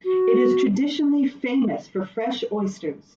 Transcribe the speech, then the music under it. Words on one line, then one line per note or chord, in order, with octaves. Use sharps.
It is traditionally famous for fresh oysters.
F#4